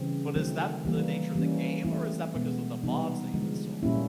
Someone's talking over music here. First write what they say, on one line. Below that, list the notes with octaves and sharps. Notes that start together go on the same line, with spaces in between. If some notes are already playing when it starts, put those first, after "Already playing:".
But is that the nature of the game, or is that because of the mods that you installed?
Already playing: C#3 E3 G3 C4
D#3 F#3 A3 C4
E3 G3 A#3
E3 G3 A#3 C#4
E3 A3 C4 E4
B2 G#3 B3
C3 E3 G3 B3 D#4
D3 F3 G#3
A#2 G3 A#3 C#4 E4